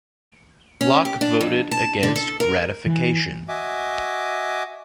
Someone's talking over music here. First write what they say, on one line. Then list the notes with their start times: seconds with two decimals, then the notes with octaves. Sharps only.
Locke voted against ratification.
0.81 C#4
1.05 G4
1.21 D4
1.41 F2
1.71 A5
2.03 D3
2.16 A4
2.40 A#4
2.86 E3
3.48 F#4 D#5 E5 G#5 D6